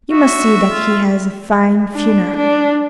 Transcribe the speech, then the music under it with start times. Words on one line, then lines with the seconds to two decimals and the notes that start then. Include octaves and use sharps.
You must see that he has a fine funeral.'
0.11 F#4 E5
0.70 F4
1.94 D4
2.37 D4